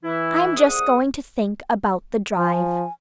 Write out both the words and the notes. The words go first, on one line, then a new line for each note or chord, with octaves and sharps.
I'm just going to think about the drive.
E3 E4
C2 G#4 F#5 D#6
F3 G#5